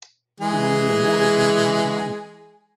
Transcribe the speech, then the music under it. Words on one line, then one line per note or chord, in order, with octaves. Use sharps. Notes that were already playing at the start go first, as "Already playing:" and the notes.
He won the Award whenever he was nominated.
E3 G#3 G#4